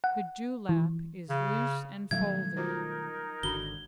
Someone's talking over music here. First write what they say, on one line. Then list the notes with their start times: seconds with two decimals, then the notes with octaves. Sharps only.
The dewlap is loose and folded.
0.04 F#5
0.69 E3
1.30 C#3
2.11 B2 D#3 F#3 G3 A3 F5 G#6
2.57 D#4 F4 F#4 A#4 C5
3.43 G#1 D3 F#4 B5 G7